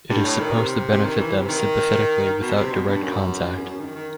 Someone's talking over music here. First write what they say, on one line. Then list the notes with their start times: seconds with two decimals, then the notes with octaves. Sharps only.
It is supposed to benefit them sympathetically without direct contact.
0.10 G2
0.24 A2
0.40 D#3
0.56 C3
0.92 C3
1.04 D#3
1.18 E3
1.38 C3
1.48 D#3
2.41 B2
2.56 C3
2.72 B2
2.87 G2
3.02 F#2
3.58 E2
3.64 F#2
3.80 D#3
3.95 D#3